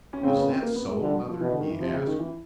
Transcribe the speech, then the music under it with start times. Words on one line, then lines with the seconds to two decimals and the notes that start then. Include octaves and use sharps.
"Is that so, mother?" he asked.
0.13 C#4
0.23 C#3 C4
0.36 B3
0.49 C4
0.62 A#3
0.75 B3
0.88 G#3
1.02 D3 G3
1.16 F#3
1.29 F3
1.41 B2 E3
1.51 D3
1.60 D#3
1.70 E3
1.80 C3 F3
1.94 C#3
2.07 D#3
2.19 E3